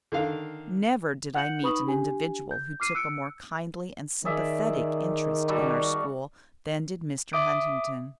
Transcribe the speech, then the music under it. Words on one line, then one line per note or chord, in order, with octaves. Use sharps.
Never did I meet an individual who took a more kindly and sympathetic interest in our school than did Mr. Huntington.
D3 D#3 F5
F#5 F#6 G6 C#7 F#7
D#4 B4 B5 C#6 D#6 F#7
D4 G4 G#5
G6
D6 F6 C7 D#7
E6 F#6 C#7 D7
D#3 G#4 D5 E5
G3 F#4 A4
E5 D6 D#6 D7